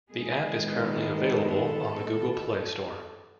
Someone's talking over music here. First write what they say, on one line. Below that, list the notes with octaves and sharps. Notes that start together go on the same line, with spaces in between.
The app is currently available on the Google Play Store.
D#3 G#3 B3 G#4
A4